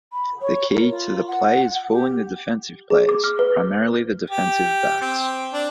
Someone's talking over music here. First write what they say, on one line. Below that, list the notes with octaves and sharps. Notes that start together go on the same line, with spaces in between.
The key to the play is fooling the defensive players, primarily the defensive backs.
B5
C#5
A#4
F4
F#5
G4
G#4
D6
F6
B4
G4
C4
D4